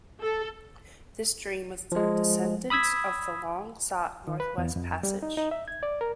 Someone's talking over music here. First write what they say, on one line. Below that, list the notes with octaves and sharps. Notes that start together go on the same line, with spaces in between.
This dream was the descendant of the long sought Northwest Passage.
A4
F3 G#3
B5 D#6 E6 G#6 B6
D#3
B4
E2
F2
G3
D#4
D#4
E5
G#6
D5
A#4